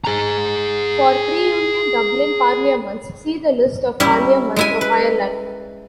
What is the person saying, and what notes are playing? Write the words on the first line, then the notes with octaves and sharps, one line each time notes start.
For pre-Union Dublin parliaments, see the list of Parliaments of Ireland.
G#4 A#5
G3 C#4 E4
G#3 E4 G#5
B4